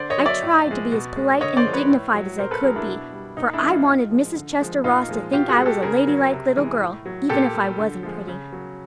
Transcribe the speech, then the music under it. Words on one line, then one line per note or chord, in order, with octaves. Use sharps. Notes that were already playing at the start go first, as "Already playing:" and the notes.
I tried to be as polite and dignified as I could be, for I wanted Mrs. Chester Ross to think I was a ladylike little girl even if I wasn't pretty.
Already playing: D3 C5 D5
C#5 D#5
F#3
D5 E5
A2
F3 G#3
B2
G#3
D3 C#5 D#5
C5 D5
F3 G#3
B4 C#5
A2
F#3
B2 A#4 C5
A4 B4
F#3 G#4 A#4
D4 E4
B2
G3
A#2 D#4
D4 E4
F3 G#3
D#4 F4
A2
F3 G#3
D3
F3 G#3
A#2 D#4 F4
F3 G#3
B2 F4 G4
F#4 G#4
G#3
G4 A4
C#3 G#4 A#4
F#3
C3
E3 G#3
A2
F#3
A#2 G4 A4
G3
D3
F3 G#3
C#3
F#3